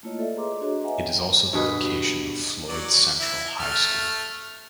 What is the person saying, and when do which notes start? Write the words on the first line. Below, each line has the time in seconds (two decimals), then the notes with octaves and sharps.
It is also the location of Floyd Central High School.
0.03 A3 A#3 E4 F4 C#5 D#5
0.19 A4 D5 E5
0.36 G#4 B4 D#5 A#5 C6 D6
0.61 D4 F#4 G#4 C#5 D#5
0.83 B4 D#5 E5 F#5 G#5 A#5
1.05 G5
1.53 G2 B2 G#4 B4
2.69 F#3 D5
3.20 E4 E5
3.59 A3 F6